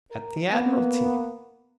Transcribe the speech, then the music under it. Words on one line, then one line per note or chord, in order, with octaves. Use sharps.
"At the Admiralty."
A#4
A#3 B3